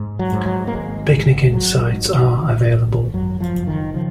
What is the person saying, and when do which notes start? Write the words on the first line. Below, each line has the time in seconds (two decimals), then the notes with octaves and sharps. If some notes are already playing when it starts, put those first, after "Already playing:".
Picnicking sites are available.
Already playing: G#2
0.19 F#3
0.32 G#2
0.46 F#3
0.67 A#3
0.73 G#1 G#3
1.13 G#1
1.53 G#2 F#3
1.93 G#2
2.34 G#1
2.73 G#1
3.14 F#2 F#3
3.40 F3
3.54 F#1
3.67 D#3
3.94 C#3 F3